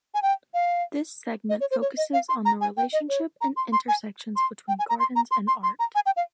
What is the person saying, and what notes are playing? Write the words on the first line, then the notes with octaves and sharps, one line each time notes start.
This segment focuses on the relationship and intersections between gardens and art.
G#5
G5
F5
D#5
C#5
C5
C#5
D#5
F5
C6
A#5
G#5
G5
D#5
C#5
A#5
C6
C6
G#5
C6
G5
G#5
A#5
C6
A#5
C6
C6
C6
A#5
G#5
G5
F5